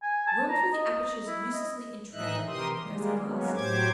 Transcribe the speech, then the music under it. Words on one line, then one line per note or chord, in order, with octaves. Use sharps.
"Run through the apertures uselessly in transit," I think I said last.
G#5
A5
A#5
D#5
E4
D#5
A2 E3 D#4 D#5 E5 F#6
C3 E3 G4 A#4 C6 D#6
G3 G#3 A#3
F#3 G#3 A#3 B3 C#4
A2 F#3 G4 C5 D6 G#6